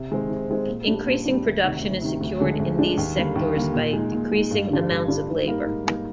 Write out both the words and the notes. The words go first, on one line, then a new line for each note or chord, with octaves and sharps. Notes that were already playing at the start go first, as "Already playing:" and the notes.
Increasing production is secured in these sectors by decreasing amounts of labour.
Already playing: C3
D#3 G#3 C4
C3
D#3 G#3 C4
A#2
G3 D4
A#2
G3 D4
D2
C3 D#3
D2
C3 D#3
D2
D3 G#3 D4
D2
D3 G#3 D4
D#2
D3 G3 A#3
D#2
D3 G3 A#3
A#2
G#3 D#4
A#2
G#3 D#4
G2
D3 G3 D4 F4
G2
D3 G3 D4 F4
G#2
G3 A#3 D#4 A#4
G#2
G3 A#3 D#4 A#4